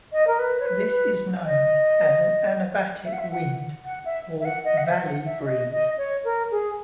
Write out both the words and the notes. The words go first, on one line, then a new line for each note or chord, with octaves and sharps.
This is known as an anabatic wind or valley breeze.
D#5
A#4
B4
C#5
B4
B4
D#5
E5
F#5
E5
F#5
F#5
E5
E5
F#5
D#5
F#5
E5
F#5
E5
D#5
D#5
C#5
A#4
G#4